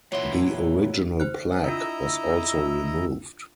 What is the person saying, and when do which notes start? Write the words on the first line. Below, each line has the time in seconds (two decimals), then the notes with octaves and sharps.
The original plaque was also removed.
0.12 A#2 E3 F#3 E4 C6
1.20 C5 F#6
1.64 D4 E4 F4 D#5 A#5 E6